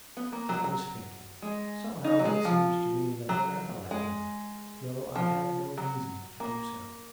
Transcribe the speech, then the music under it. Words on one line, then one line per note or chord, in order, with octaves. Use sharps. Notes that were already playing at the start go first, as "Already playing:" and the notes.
I was thinking. Somehow it seems to me that I rather like him, though I have no reason to do so.
B3
A#3
F#3
F#3
G#3
D#4
F#3
G#3
F3
F#3
G#3
F3
F#3
A#3